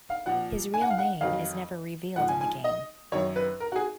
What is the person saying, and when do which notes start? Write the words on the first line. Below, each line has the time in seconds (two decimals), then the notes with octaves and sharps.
His real name is never revealed in the game.
0.10 F5
0.26 A#2 F3 F#5
0.74 G#5
0.82 F#5
0.90 F5
0.98 F#5
1.21 F2 D#3 F#3 F5
2.16 G#2 F3 F#5
2.29 G#5
2.41 G#5
2.64 D#5
3.12 F#2 D#3 F#3 C#5
3.36 B4
3.60 A#4
3.72 F#4
3.76 G#4